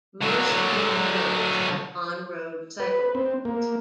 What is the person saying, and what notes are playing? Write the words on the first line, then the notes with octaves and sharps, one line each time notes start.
Most major roads have on-road cycleways.
D3 F#3
B4
C4
A#3